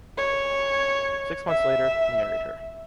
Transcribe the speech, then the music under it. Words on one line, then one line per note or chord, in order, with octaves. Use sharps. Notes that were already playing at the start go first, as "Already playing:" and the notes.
Six months later, he married her.
C#5
E5